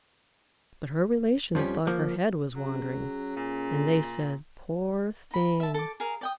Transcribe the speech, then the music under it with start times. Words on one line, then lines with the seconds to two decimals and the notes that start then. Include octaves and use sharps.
But her relations thought her head was wandering, and they said, "Poor thing!"
1.55 F2 F3 G3 C#4
1.87 F3 A#3
2.55 F#3 C#4 G#4
3.36 A#2
5.31 D#4 B5
5.60 E5 A5
5.74 A4 D6
6.00 G#4 A#4 F5
6.21 D5 G5 D#6